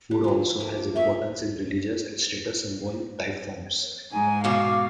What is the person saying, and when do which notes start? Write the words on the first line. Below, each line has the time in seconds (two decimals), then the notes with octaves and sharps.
Food also has importance in religious and status-symbol type forms.
0.11 G3
0.24 F3 F#3
0.60 A3 A#3 D6
0.96 A#3 D#5 E5 C#6
4.12 G#2 D#4 G#5
4.44 E2 B2 F#4 F5 D6